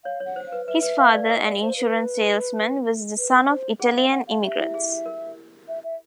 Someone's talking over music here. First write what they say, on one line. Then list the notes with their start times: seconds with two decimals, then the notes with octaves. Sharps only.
His father, an insurance salesman, was the son of Italian immigrants.
0.04 C#5 F5
0.20 C#5
0.25 F#5
0.36 C5
0.47 F5
0.52 B4
0.67 B4 E5
0.83 B4
0.98 F5
1.14 D5
1.30 A#4 D#5
1.45 D5
1.62 C5
1.77 B4
3.17 B4
3.49 C5
3.80 G#4 F#5
3.95 F5
4.11 F#5
4.27 F5
4.43 G4 E5
4.58 E4
4.74 G#4
5.06 A#4
5.68 E5
5.84 E5